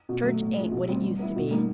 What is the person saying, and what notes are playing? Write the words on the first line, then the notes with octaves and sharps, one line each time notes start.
Church ain't what it used to be.
B2
F#3 A3
A2
F3 G#3
B2
G3 C4
G3
B3 E4
B2
G3 A#3 D#4